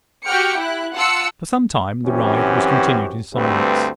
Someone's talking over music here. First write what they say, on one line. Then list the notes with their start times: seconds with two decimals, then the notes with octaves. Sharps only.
For some time the ride was continued in silence.
0.24 F#4 G4 F#5 G5 F6 C#7
0.54 E4 F#6
0.94 F4 F#5 A5 E6 C#7
2.05 F#2 E3 C4 C#4 F#4 G4
3.34 D2 G2 A3 C4 G4 B4